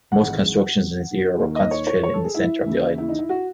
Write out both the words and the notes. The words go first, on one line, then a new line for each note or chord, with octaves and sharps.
Most constructions in this era were concentrated in the centre of the island.
G#1 G#2 E3 F#5
D#2 D#3
D#5
C#5
C#5
C#5
A4
G#4
E4
D#2 C#3 E3
E4
D#4
E4
F#4